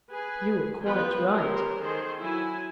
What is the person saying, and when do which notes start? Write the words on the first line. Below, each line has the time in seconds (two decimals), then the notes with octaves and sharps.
'You are quite right.
0.11 G#4 B4 G#5
0.84 F3 B3 F4 B4 G5
1.33 B3 C#4 G4 A#4 C5
1.81 D#3 G#4 A4 C5
2.20 F#3 E4 G#5